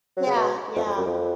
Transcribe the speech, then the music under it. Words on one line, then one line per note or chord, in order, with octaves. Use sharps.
Yeah, yeah.
F#3
C#3
B2
F2
F2
F#2
F2